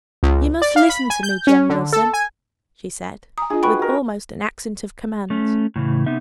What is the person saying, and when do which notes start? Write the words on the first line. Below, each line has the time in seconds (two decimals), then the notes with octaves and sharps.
"You must listen to me, Jem Wilson," she said, with almost an accent of command.
0.23 C#2
0.62 D5
0.76 F5
0.90 B5
1.10 G#5
1.23 G6
1.47 C#4
1.70 D3
1.93 A4
2.13 G#5
3.38 G#5 A#5 D#6
3.50 D4 F4 G#4 D#5
3.63 F#4 B4 G5 B5 C#6
3.79 F#4 A#4
5.30 A3 C#4
5.76 A2 C#3 E3
6.06 C3 B3 D#4 E5